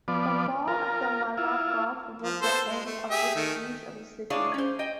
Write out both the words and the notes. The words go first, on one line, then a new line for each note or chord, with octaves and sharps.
The fall of the Malakoff was the end of the siege of the city.
F3 B3 D5
F4 A#4
E4 F4
F3
B3 A4 C5
G#3
A3
G4 G#4 E5
D#3 A3
D4 E4 G#4 C#5 D5 F5
C#4 C5
D#5 G5